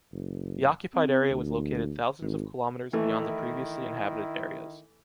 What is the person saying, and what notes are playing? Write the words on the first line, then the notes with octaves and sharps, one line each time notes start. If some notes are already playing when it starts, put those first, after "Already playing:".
The occupied area was located thousands of kilometers beyond the previously inhabited areas.
F#1
C4
D2
G#1
D#3 E3 A3 E4